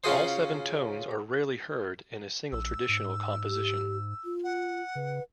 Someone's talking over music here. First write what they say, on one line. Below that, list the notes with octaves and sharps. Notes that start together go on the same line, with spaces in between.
All seven tones are rarely heard in a single traditional composition.
C#3 C#4 F4 F#4 G#4 C5
A#1 E6
G#2
G4
F4
F#5
C#3 B4